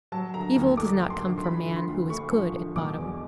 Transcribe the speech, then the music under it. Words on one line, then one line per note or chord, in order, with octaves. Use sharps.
Evil does not come from man, who is good at bottom.
F#3 A5
D3 A#5
D#2
A3 D6
F#3
C6
D3
C6
F3 B5
D3
C6
D2
A3 C#6
F3
D3
B2 D6
E2